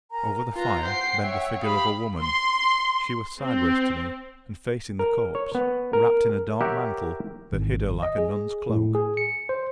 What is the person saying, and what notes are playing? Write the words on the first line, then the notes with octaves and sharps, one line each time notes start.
Over the fire bent the figure of a woman; she was sideways to me and facing the corpse, wrapped in a dark mantle that hid her like a nun's cloak.
A#4 G#5 A#5
F4 B4 F5 A#5
C5 F#5 G5 C7
C#5 E5
G4 F5 G5 B5 D#6
C6
C4
A#4
C#5
B3
A#4
G4 A#4 C#5 E5 F#5
G#1
D#5
G#4
A2
G#4
C#7
C5